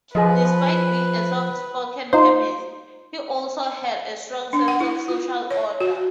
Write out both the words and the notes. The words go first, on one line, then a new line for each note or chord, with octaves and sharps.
Despite being a soft-spoken chemist, he also had a strong sense of social order.
F3 G#4 B4 D#5
D#4 F4 C5
D4
F#5
E4
F4
C#5
F#4